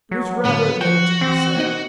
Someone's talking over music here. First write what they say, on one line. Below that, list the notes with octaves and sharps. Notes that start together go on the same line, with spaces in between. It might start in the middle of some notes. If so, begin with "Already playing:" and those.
It was rather late in the sale.
F#3
A2 D3 B3
F3 F#4 G5
E3 C4
A#3 D#4 D#5